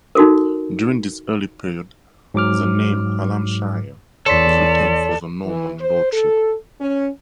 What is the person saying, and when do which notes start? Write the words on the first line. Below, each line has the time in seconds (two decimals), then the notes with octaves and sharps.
During this early period, the name Hallamshire was retained for the Norman lordship.
0.15 D#4 F#4 A4 A#4
2.34 G#2 F#3 D6 F6
4.26 E2 A4 C#5 D5 C6 B6
5.45 E3
5.81 C5
6.13 A4
6.80 C#4